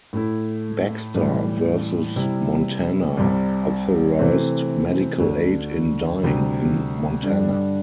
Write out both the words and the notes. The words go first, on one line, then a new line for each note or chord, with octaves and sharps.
Baxter versus Montana authorized medical aid in dying in Montana.
A2 A3 E4
A2 E3 G3
C3 G3 E4
C2 C3 G3
C3 E3 A3 C4
D2 D3 A3
D2 C3 G3
G2 D3 G3 D4